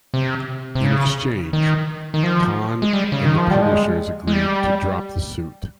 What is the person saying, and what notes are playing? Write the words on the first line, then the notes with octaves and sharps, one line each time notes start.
In exchange, Cahn and the publishers agreed to drop the suit.
C3
C3
C#3
D#3
D#3
F3
G#3
G3
C#3
D#3
F3
G3
G#3
G#3
G3